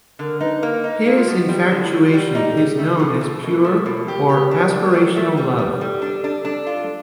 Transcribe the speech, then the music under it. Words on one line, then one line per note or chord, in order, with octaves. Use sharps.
His infatuation is known as pure, or aspirational love.
D3 A#4
D#4 B4
A#3 A#4
D#4
A#4
A#3 A4
F4
F3 F#4
G3
D3 E4
G3 F4
G4
G3 F#4
D#4 G4
A4
G3 G#4
A3 A4
B2
A3 G#4
A4
B2 A#4
A3
B2
G4
G4
D4
A3
A3
A3
G3 B4
G3 B4
G3 A4
D4
D4
D4
F4